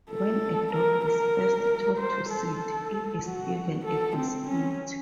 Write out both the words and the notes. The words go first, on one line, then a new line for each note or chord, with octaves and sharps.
When a dog is first taught to sit, it is given a biscuit.
A4
A#4
A#4
C5
A4
F#4
A4
C4
C#4